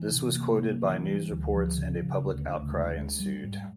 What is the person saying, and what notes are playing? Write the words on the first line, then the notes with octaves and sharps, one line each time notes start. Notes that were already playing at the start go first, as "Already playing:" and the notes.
This was quoted by news reports and a public outcry ensued.
Already playing: E3
C3
A#3
A#3
E3
G3
D2
F3
C#3
C#3
D2
D2
G#3
G#3
G3
G#2